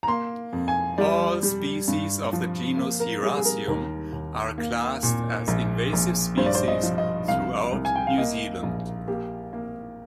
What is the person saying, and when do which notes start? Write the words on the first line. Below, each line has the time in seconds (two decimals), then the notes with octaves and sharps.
All species of the genus "Hieracium" are classed as invasive species throughout New Zealand.
0.03 A#5
0.07 A#3 C6
0.53 F2
0.68 G#5
0.98 G3 D5
1.43 G3
1.88 G2
2.33 F3
2.77 A#3
3.00 A#4
3.23 G3 G#4
3.37 G#4
3.45 A#4
3.68 D#2 A#4
4.13 D#2
4.58 A#3
5.03 A#2
5.48 A#1
5.93 A#1
6.37 G2 C5
6.46 D5
6.55 C5
6.68 D#5
6.83 F3
6.98 D#5
7.28 C2 F5
7.72 C2
7.85 G#5
7.96 G5
8.07 F5
8.18 A#3 D#5
8.63 A#1
9.08 A#3 G4
9.53 A#3